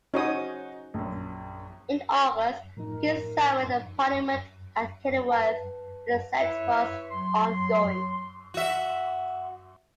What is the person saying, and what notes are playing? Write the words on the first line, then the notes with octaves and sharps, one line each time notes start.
In August, the king summoned a parliament at Kenilworth, where the siege was ongoing.
C#4 D#4 F#4 C5 C#5 D#6
A#1 F#2
A2 F3 D#4 A#4
B4 A5
E4 B4 C#5 E5
F#3 C6
F#4 E5